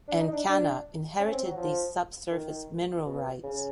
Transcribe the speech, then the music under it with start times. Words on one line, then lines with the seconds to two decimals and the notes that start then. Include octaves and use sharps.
EnCana inherited these subsurface mineral rights.
0.08 D4
0.20 D#4
0.32 D4
0.45 D4
1.19 C#4
1.32 C4
1.44 F#3
1.57 F3
2.31 D#3
3.06 B2
3.43 C#3